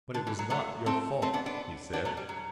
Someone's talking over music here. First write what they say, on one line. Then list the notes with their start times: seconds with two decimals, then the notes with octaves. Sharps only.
"But it was not your fault," he said.
0.14 D3
0.27 E3
0.39 F#3
0.50 F#3 A3
0.86 A3 C4
1.22 A3 C4
1.33 B3 D4
1.46 B3 D4
1.93 D4 F#4
2.05 F#3 A3
2.17 G3
2.29 F#3